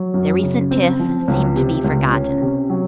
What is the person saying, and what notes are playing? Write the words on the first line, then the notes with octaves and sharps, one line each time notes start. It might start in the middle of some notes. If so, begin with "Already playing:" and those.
Their recent tiff seemed to be forgotten.
Already playing: F#3
F#2
C#3
C4
F3
C#2
C3
C#2
C#4
C3
F#3